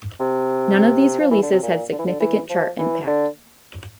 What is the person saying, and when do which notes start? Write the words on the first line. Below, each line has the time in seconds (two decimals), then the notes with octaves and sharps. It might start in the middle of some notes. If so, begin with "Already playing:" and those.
None of these releases had significant chart impact.
0.20 C3
1.20 F3
1.31 E3
1.42 D3
1.52 C3
1.63 A#2
1.92 D3
1.99 E3
2.06 D3
2.20 E3
2.49 F3
2.78 E3
3.07 D3